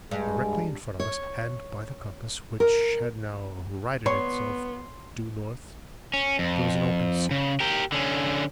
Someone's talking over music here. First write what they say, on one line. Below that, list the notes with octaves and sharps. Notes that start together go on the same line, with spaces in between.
Directly in front of us, and by the compass, which had now righted itself, due north, there was an open sea.
G2 G#3
C#5
A#4
B3 C#5 C6
C#4
F2
C#3
G4 A#4
D3 C#4